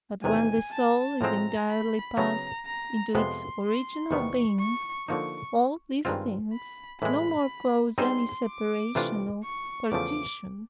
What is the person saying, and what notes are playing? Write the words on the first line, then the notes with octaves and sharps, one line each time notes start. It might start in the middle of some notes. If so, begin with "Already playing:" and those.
But when the soul is entirely passed into its original Being, all these things no more cause any separation or partition.
E2 C3 D#3 G#5
A5
A2 F3 G#3 C4 A#5
B5
C#3 F#3 B3 A#5
A#5
F2 C3 F3 G#3 B3 C6
C6
E2 C3 D#3 G3 B3 C#6
C#6
D3 F3 A#3 D#4 C#6
G2 D#3 G#3 C4 F4
B5
A2 E3 G#3 B5
G3 C4 D#4 G#4 C5 C6
D6
C3 E3 A3 D4 F4
C#6
E2 C#3 F3 A3 D6